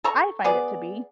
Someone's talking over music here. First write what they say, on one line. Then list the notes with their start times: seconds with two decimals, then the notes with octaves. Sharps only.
I find it to be.
0.04 A4 A#5 C#6
0.44 B3 G#4 D5